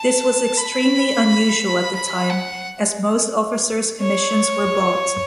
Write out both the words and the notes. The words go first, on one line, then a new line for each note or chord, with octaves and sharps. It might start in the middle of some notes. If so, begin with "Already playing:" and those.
This was extremely unusual at the time as most officers' commissions were bought.
Already playing: A5
B5
B5
F#5
C#5